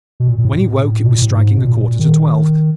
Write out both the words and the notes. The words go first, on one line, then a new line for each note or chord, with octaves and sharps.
When he woke it was striking a quarter to twelve.
B2
A#2
A#2
A2
B2
A#2
A2
G#2
B2
A#2
D#3